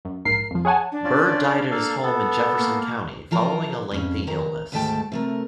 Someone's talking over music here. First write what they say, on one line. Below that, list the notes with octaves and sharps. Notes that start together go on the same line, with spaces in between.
Byrd died at his home in Jefferson County following a lengthy illness.
F#2
A#1 G#2 A#4 C7
F2 F3
G#4 C#5 F#5 G#5 A5
D4
C#4 F4 D5
A#3 A4 F5
B3 A4
A#3
E3 F3 A#4 A#5
F2 C#4
D#3 A#5
D2 G#2 D#3 A3 G5 A5
C3 A3 A#4